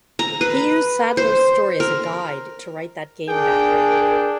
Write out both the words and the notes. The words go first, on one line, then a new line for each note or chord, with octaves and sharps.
He used Sadler's story as a guide to write that game background.
A#5
B4
C5
A#4
D4 G#4 A#4 G5